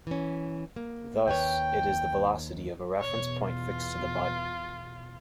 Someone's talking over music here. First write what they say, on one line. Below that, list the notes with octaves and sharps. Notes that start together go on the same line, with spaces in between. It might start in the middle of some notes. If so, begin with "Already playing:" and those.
Thus, it is the velocity of a reference point fixed to the body.
E3 C#4
A#3
D#2 B4 C#5 G5
E2 B2 C#5
F4